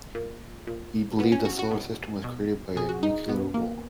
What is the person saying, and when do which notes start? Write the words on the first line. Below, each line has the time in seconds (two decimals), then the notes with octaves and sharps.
He believed that the solar system was created by a nuclear war.
0.15 A#2
0.67 A#2
1.19 B2 B3
1.32 C#4
1.45 F#4
1.59 F#4
1.71 B2
2.24 B2
2.76 B2 G#4
2.89 F#4
3.03 D#4
3.28 B2 B3
3.54 A#3